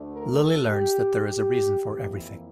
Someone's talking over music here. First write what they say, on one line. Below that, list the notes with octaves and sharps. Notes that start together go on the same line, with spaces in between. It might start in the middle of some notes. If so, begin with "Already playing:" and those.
Lily learns that there is a reason for everything.
Already playing: D2 D3 A3
A#4
A4
G4
G4
F2 E3 A#3 G4
E4